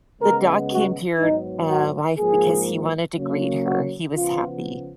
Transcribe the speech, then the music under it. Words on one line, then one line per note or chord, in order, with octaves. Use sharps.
The dog came to your, uh, wife because he wanted to greet her, he was happy,
C#3 G#3 B3 A#4
F#4
G#2 F#3 B3 D#4
F#4
G#2 F3 A#3 G#4
C#3 F#3 A#3
F#4
C#3 F3 B3 F4